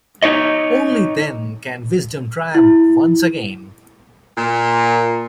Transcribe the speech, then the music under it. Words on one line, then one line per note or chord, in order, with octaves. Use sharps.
Only then can wisdom triumph once again.
D#4 C#5 D#5
E4
A#2